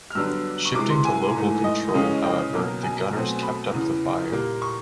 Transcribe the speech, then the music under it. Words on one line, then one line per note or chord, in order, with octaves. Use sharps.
Shifting to local control, however, the gunners kept up the fire.
F6
G2 D3 F#3 B3 D4 E6
C#6
C3 E3 G#3 D6
C6
G#5
G#2 E3 A3
D#5
C#3 E3 G#3 C#4
G5
B2 F#3 A#3
G#5
B2 F#3 A3 C4
B5
E2 C#3 E3
A#2 G3 A#3
C#6